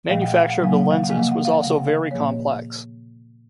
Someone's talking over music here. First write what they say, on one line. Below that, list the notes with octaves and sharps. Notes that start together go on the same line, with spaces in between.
Manufacture of the lenses was also very complex.
A#2 F3 A3 F5
F#5
F5
F#5
C#3 F#3 A#3 F5
F#5
F5
F#5
C3 F3 A#3
F5
F#5
F5
C#3 A3 F#5
F5
A#2 F3 A#3 C#5